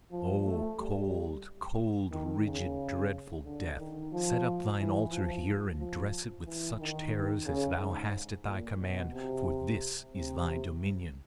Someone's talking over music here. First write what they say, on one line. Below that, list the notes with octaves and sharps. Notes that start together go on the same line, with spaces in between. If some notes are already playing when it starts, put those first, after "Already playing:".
Oh cold, cold, rigid, dreadful Death, set up thine altar here, and dress it with such terrors as thou hast at thy command: for this is thy dominion!
F3
A3
G3
D#3
C#3
D3
D#3
F3
E3
F3
F3
E3
D#3
C#3
G#2
A#2
B2
C3
C3